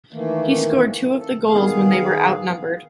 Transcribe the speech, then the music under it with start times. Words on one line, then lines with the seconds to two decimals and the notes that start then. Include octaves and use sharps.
He scored two of the goals when they were outnumbered.
0.13 D#3 E3 A3 A#3
1.18 A4
1.48 D#3 B3 G#4 F5